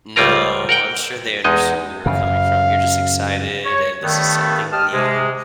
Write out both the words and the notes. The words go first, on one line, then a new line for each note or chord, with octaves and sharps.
No, I'm sure they understood where you were coming from, you're just excited, and this is something new,
C#2 G3 A3 F4 A#4 A#5
A#4 F#5 G5
E2 G#3 D#4 D#5
F#2 C#3 F5
C#5
G2 D#3 A3 B3
D#2 G4 D#5 A5 D#6 F6
C3 G#3